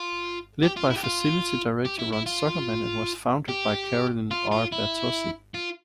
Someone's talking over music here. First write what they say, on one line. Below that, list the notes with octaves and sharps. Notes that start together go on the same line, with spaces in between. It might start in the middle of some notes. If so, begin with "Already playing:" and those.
Led by Facility Director Ron Zuckermann and was founded by Carolyn R. Bertozzi.
Already playing: F4
G4
F4
E4
G4
F4
G4
E4
E4
F4
G4
F4
F4
E4
F4